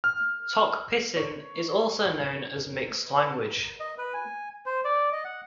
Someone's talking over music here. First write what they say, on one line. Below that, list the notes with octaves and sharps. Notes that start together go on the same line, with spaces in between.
Tok Pisin is also known as a "mixed" language.
F6
C#5
D#5
B4
G#5
C5
D5
D#5
F#5